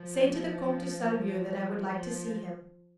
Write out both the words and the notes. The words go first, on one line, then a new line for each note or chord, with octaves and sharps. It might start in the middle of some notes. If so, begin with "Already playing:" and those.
"Say to the Comte de Salvieux that I would like to see him."
Already playing: F3
F3